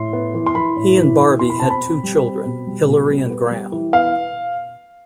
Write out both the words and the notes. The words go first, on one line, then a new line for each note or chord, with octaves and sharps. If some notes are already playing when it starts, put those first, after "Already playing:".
He and Barbie had two children; Hilary and Graham.
Already playing: A2 C6
B3
E3
C6
E3 B5
A2
E3
E3
B2 C6
B5
C4 A5
B5
C4
G3
C4
B2
G3
B2
G3
B3
G3
E3
B3 F5